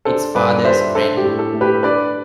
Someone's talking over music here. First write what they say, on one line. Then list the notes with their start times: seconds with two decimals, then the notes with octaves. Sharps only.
It's father's friend.
0.05 D4 A4 C5
0.35 G2 B4 D5
0.64 G3 C5 E5
0.95 D4 A4 C5
1.17 G4
1.24 A2
1.39 A4
1.53 A3
1.61 G4 B4
1.83 D4 B4 D5